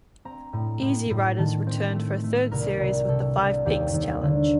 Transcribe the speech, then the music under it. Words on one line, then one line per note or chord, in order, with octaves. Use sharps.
"Easy Riders" returned for a third series with The Five Peaks challenge.
C4 A#5
A2
A2
A2
D#3 A5
C4
A3
A3
C2 A#4
C2
C3 A4
C2
D#2 G4
D#2
D3